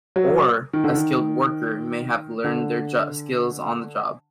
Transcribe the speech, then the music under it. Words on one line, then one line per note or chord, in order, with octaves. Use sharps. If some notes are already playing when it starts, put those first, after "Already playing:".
Or, a skilled worker may have learned their skills on the job.
F#3
D#3
D3
D#3
D3